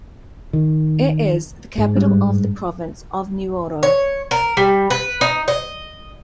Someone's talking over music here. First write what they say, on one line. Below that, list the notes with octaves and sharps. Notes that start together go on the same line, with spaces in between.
It is the capital of the province of Nuoro.
D#3
G#2
G2
C#5
A#4
G3
B4
D#4
D#5